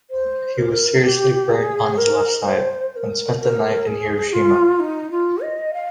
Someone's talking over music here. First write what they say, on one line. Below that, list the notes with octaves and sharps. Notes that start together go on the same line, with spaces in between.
He was seriously burnt on his left side and spent the night in Hiroshima.
C5
A#4
G4
G#4
A#4
C5
C5
A#4
A#4
G#4
F4
D#4
F4
D#5
F5